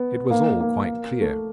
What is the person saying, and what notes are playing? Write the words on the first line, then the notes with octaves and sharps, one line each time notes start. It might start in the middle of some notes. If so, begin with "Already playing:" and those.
It was all quite clear.
Already playing: B3
A#3
A#3
A3